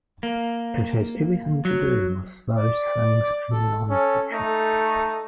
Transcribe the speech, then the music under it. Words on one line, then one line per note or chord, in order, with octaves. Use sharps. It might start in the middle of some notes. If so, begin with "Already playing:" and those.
It has everything to do with those things in nonfiction.
A#3
F#3
D5
A4
C#4 A4
A3 D#4